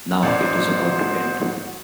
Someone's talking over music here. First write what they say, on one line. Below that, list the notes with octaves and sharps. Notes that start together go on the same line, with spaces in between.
Now it is about to end.
A1 F#4 C5 D5